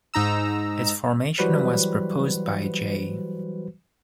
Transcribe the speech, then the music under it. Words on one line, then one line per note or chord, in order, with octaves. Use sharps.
Its formation was proposed by J.
G#2 D#4 A#5 E6
E3 F#3 G3 F#4 B4 C5